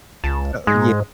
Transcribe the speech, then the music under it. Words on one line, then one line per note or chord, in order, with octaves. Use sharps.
Oh, yeah.
C#2 A5
G#2 G#3